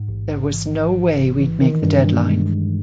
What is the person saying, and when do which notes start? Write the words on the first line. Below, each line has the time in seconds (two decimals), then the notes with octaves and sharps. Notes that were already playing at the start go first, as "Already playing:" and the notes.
There was no way we'd make the deadline.
Already playing: G#2
0.08 A1
0.30 A1
0.51 E3
0.74 G#2
0.95 A1
1.18 A1
1.39 E3
1.61 D#3
1.82 G2
2.05 G2
2.26 G#3
2.49 D#3